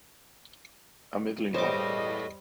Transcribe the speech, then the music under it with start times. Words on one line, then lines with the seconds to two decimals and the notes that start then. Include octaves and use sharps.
A middling one?
1.54 E2 G2 G3 A4 C5 C#5 D#5 D6